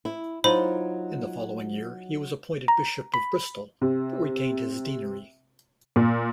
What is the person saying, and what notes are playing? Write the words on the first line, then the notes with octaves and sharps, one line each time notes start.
In the following year he was appointed bishop of Bristol, but retained his deanery.
E4
F#3 D#4 F4 C5 B5
A#5
B5
C3
A#2